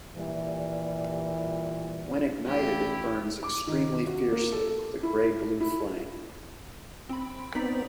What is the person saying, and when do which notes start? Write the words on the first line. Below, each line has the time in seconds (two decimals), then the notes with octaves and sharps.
When ignited it burns extremely fiercely with a gray-blue flame.
0.16 A#2 E3 G3
2.46 A1 E4 G4
3.43 D6
3.67 D#3
4.07 F#4
4.32 A#3
4.52 A4
5.03 E4
5.61 E4
7.09 C4 B5
7.55 B3 C4 D#4 D5 B6